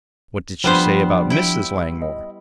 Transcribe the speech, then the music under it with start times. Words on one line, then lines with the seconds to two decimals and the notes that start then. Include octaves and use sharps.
"What did she say about Mrs. Langmore?"
0.64 F3 G3 B3 D4 C5
1.30 E4 G5
2.02 D#5